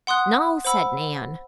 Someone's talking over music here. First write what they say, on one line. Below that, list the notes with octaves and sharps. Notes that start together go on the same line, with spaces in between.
"No," said Nan.
F#5 C6 D#6 F#6
C5 F#5 B5 E6